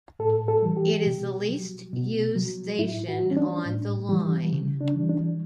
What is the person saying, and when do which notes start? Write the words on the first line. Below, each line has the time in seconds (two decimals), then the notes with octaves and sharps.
It is the least used station on the line.
0.19 A2 A4
0.48 A4
0.62 E3 G3
0.77 G4
1.06 B2
1.49 F#3
1.93 B2
2.36 F#3
2.78 A2 E4
3.08 F#4
3.22 E3 G3
3.31 C#4
3.37 D4
3.66 A2
4.09 E3 G3
4.52 C#3
4.81 D4
4.95 E3 G3
5.09 D4